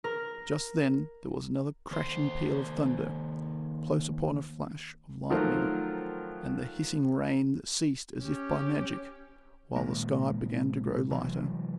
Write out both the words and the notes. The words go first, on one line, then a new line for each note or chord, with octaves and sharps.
Just then there was another crashing peal of thunder, close upon a flash of lightning, and the hissing rain ceased as if by magic, while the sky began to grow lighter.
A#4
D#2 C5
D#3 F3 F#3 A3 A#4 C5
C#4 G4
A#2 D#3 G#3 A#3
C3 E3 F#3 G#3